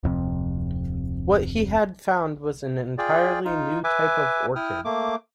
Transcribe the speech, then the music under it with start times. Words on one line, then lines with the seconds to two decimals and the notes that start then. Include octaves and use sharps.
What he had found was an entirely new type of orchid.
0.03 D1 F2 C3
2.98 F4 G#4 D5 G5
3.45 D#4 F4
3.84 B4 E5 G#5 D6
4.56 E4 G5 D#6 F6
4.85 A3 A#3 D6